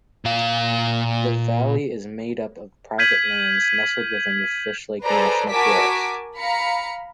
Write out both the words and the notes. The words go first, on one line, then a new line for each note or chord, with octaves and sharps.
The valley is made up of private lands nestled within the Fishlake National Forest.
A#2 F5
F6 G6 G#6 B6 D#7 F#7
G#4 A4 B4 C5 D5 A#5
F#4 A#4 G#5 A5 D6 B6
F5 A#5 B5 C#7